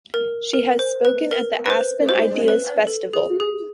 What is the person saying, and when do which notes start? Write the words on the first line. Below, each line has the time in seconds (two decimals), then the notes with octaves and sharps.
She has spoken at the Aspen Ideas Festival.
0.14 A#4
0.53 A#4
0.79 C5
1.05 B4
1.31 A#4
1.66 B4
1.70 C5
2.09 C5
2.48 B4
2.87 A4
3.13 G#4
3.40 G#4